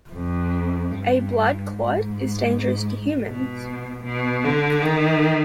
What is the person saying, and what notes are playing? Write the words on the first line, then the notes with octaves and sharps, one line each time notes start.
A blood clot is dangerous to humans.
F2
G2
G#2
B2
B2
D3
D#3